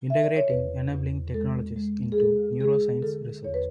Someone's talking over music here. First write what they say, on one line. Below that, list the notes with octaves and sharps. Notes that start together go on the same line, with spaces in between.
Integrating Enabling Technologies Into Neuroscience Research.
E5
D5
C#5
E2 B4
E2
G#3 A4
G#3
G#4
G#3 A4
G#3 G#4
D3 A4
E2 C#5
B4